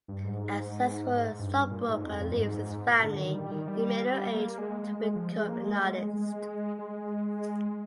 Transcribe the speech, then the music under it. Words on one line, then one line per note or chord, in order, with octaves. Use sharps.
A successful stockbroker leaves his family in middle age to become an artist.
G2
G#2
G2
G2
A#2
G#2
F2
F2
G2
G#2
A#2
D3
D#3
G3
D#3
G3
A#3
G#3
G#3
G#3
F3
G#3
A#3
G#3
G#3
G#3
G#3